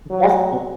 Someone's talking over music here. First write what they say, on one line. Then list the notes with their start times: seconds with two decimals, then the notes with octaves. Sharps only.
That's good.
0.10 F#3